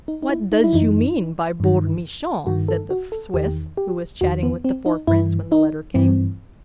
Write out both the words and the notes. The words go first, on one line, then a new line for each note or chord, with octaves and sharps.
"What does you mean by boor Michon?" said the Swiss, who was chatting with the four friends when the letter came.
D#4
D#4
E4
D#4
E4
F#2 E3 D#4
G2 D#3
G2 D#3 F#4
A4
F#4
A4
E2 D#3 G4
G4
E2 D#3 F#4
B3
C4
D#4
G2 E3 E4
D#4
G2 E3 C4